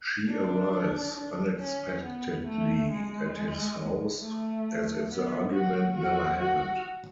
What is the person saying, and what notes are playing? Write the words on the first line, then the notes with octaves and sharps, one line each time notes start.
She arrives unexpectedly at his house, as if the argument never happened.
D4
D4
C#4
B3
A3
G#3
A3
B3
F#4
F#4
F#4